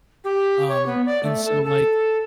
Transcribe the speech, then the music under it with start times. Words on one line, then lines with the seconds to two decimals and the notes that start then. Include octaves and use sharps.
Um, and so, like
0.24 G4
0.69 C#5
0.86 B3
1.06 D5
1.23 A3
1.45 A4
1.64 A4